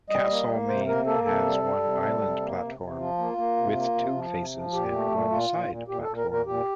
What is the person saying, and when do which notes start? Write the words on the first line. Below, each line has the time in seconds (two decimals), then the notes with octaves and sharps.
Castlemaine has one island platform, with two faces and one side platform.
0.10 G3 D#5
0.29 A#3
0.49 A#3
0.68 C3 C5
0.87 A#3 A#4
1.06 A#3 A4
1.25 C3 A4
1.45 G3
1.64 G3
1.84 C3
2.03 G3
2.22 C3
2.41 A#3
2.61 C3
2.80 C3
2.98 F3 F4
3.18 A#3
3.37 A#3
3.57 C3
3.76 A#3
3.95 C3
4.15 F3
4.34 C3
4.54 F3
4.73 A#2 G4
4.92 A3
5.11 A#2
5.30 A#2 F4
5.49 A#2
5.69 A#2
5.88 A#2 G4
6.02 A#2 A4
6.17 A#4
6.27 A#2 A#4
6.46 A#2 G4